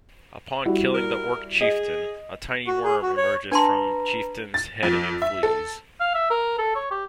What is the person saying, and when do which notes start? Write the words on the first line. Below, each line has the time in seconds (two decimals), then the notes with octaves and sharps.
Upon killing the Orc chieftain, a tiny worm emerges from chieftain's head and flees.
0.65 G3 E4 F#4
0.94 A#4
1.61 G#4 D#5
2.67 F#4
2.84 G#4
3.02 F#4
3.17 C#5
3.52 D4 B4 A5 A#5 C6
4.54 A6
4.83 F2
5.22 E5
5.43 A4
6.00 F5
6.14 E5
6.31 A#4
6.59 A4
6.76 C#5
6.91 G4